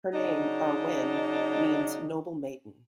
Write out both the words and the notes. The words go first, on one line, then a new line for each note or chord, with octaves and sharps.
Her name "Ar-wen" means 'noble maiden'.
C#3 F#3 D4 D#4